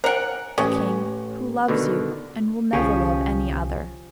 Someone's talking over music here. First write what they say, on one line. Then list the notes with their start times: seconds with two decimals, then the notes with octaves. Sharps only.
"A king, who loves you, and will never love any other."
0.04 A#4 C5 F#5 G#5
0.58 A1 C#4 A4
1.68 B2 D3 D#3
2.73 C2 D3 F3 C#4 G4 G#4 C#5